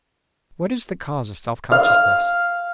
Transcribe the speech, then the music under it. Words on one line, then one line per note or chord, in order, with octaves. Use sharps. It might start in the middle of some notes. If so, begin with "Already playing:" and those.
What is the cause of self-consciousness?
F5